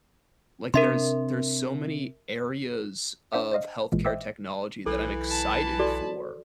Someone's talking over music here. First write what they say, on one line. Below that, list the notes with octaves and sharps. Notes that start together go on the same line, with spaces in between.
like, there's there's so many areas of health care technology that I'm excited for,
C3 C4 D4 A#4 E5 C6
D4 C5 E5 F#5
C5 D5 D#5 F5
A1 A#2 E3 G#3
C5 D#5 E5 G5 D6 E6
B1 E3 A4
A5 B5
F#4 A4 D5